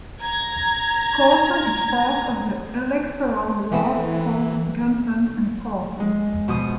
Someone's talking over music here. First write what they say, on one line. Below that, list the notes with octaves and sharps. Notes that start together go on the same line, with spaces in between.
Corton is part of the electoral ward called Gunton and Corton.
A#5 G#6
E3 A3 B3 C4
G#3
B2 F3 D#6